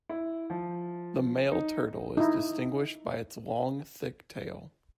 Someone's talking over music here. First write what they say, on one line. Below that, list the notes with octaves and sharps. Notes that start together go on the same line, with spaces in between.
The male turtle is distinguished by its long, thick tail.
E4
F3
D#4
D#4 E4